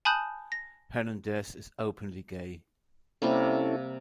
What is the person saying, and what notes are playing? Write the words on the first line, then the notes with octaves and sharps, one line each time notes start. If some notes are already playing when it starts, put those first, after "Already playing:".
Hernandez is openly gay.
G#5 A5 B5 D#6 F#6 G6
A#6
C3 G3 A#3 C#4 E4 A4